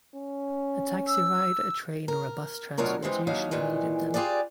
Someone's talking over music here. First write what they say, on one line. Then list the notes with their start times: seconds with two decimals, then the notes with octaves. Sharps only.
A taxi ride a train or a bus transfer is usually needed then.
0.15 C#4
1.08 E6
2.08 A#4
2.77 D2 B2 F#3 F4 A#4 C#5
3.02 C3 E3 G#3 B3 C4
3.27 D#2 F#3 D#4 F5
3.51 A#2 D#3 E3 G#3
4.14 F4 G4 G#4 B4 D5